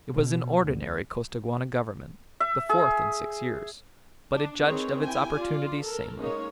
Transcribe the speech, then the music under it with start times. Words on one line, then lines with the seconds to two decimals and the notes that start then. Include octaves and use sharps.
It was an ordinary Costaguana Government--the fourth in six years--but it judged of its opportunities sanely.
0.11 B2
0.63 D2
2.40 E5
2.69 G#4
4.34 D4
4.64 D#3 C4 D#4 G#4 B4 C#5
5.02 E4 G4 G5 G#5
5.35 F4 D5
5.82 A4 A#4
6.19 G#3 A#3 C#4 D#4 C#5